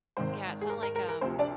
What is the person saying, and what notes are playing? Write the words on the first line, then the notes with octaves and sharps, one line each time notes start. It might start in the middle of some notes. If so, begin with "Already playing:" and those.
Yeah, it's not like, um,
G#1 G#2 D#3 C4 C5
G#4
A#4
A#4
A#4
A#4
D2 C3 F3 C4 C5
D4 D5